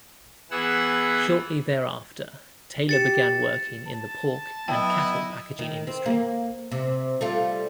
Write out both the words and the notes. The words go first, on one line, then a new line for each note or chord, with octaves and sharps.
Shortly thereafter, Taylor began working in the pork and cattle packaging industry.
E3 B3 G#4 F#5 E6
G4 A6 C#7 E7
A5
F#3 B3 E4 D#5 G5 A5
D#3
C4
A#3
C3
G3 A3 F4